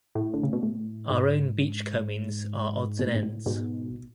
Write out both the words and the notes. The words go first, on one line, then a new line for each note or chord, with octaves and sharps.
Our own beachcombings are odds and ends.
A2
D3
C#3
B2
A2
G#2
B2
A2
G#2
A2
G#2 B2